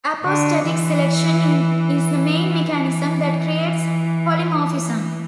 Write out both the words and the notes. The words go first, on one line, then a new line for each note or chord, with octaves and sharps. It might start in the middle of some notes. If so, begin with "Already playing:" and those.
Apostatic selection is the main mechanism that creates polymorphism.
D3
E3
E3